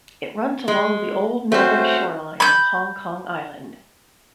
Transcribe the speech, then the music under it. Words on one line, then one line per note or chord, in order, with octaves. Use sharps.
It runs along the old northern shoreline of Hong Kong Island.
G#3
A3 C4 C#4 F#4 C5
B5 G6